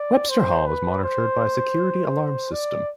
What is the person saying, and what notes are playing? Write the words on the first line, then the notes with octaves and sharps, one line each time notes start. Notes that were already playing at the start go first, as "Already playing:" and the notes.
Webster Hall is monitored by a security alarm system.
Already playing: D5
C5
B4
C5
D5